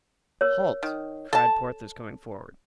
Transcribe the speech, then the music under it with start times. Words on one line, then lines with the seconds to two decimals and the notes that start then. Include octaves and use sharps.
"Halt!" cried Porthos coming forward.
0.41 A#4 C#5
0.83 D#3
1.33 A4 A5